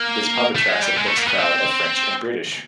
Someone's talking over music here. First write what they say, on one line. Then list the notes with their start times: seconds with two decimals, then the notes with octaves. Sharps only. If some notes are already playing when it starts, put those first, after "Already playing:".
This pub attracts a mixed crowd of French and British.
Already playing: A#3
0.55 A3
0.68 G#3
0.82 G3
0.96 G#3
1.06 A3
1.17 A#3
1.27 B3
1.37 C4